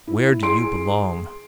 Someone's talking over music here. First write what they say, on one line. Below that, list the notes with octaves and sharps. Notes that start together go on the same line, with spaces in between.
Where do you belong?
E4
G#4 C6 D7